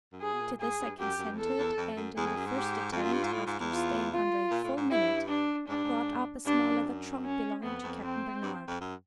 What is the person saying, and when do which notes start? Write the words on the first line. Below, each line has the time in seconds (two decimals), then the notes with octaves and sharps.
To this I consented, and, in the first attempt, after staying under a full minute, brought up a small leather trunk belonging to Captain Barnard.
0.12 F#2
0.21 G2 G#4
0.32 B2
0.40 A#2
0.60 G#2 G#4
0.79 G2
1.00 F#2 G4
1.18 F#2
1.33 F2
1.38 E2 A4
1.58 E2
1.77 F2
1.96 F#2
2.17 E2 G#4
2.26 F2
2.36 F#2
2.46 G#2
2.55 G4
2.92 F2 F4
3.02 F#2
3.13 G2
3.24 G#2
3.33 A2
3.47 G#2
3.60 E2
3.72 F4
4.12 F4
4.51 A#2
4.64 A2
4.77 G#2
4.90 G2 E4
5.28 D4
5.68 G#2 D4
5.76 G2
5.84 G#2
6.46 G2 D4
6.59 F#2
6.73 F2
6.86 F#2
7.24 C#4
7.63 F2 B3
7.83 F2
8.02 C4
8.42 G2
8.68 F2
8.81 F#2